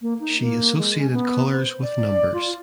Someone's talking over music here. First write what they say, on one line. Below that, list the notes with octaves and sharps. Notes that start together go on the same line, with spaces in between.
She associated colours with numbers.
A#3
D#4
A#3
G#3
C#4
B3
C5
D5
F4